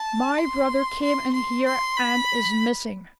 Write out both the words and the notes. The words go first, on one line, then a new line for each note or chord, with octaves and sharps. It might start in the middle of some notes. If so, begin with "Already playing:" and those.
My brother came in here, and is missing.
Already playing: A5
C6
C6
C6
C6
B5